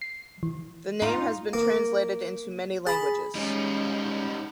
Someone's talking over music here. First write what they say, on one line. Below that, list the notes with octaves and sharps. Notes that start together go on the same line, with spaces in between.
The name has been translated into many languages.
C7
E3
D#4 F4
A#3
G#4 A5 B5
G3 G#3 C#4 D#4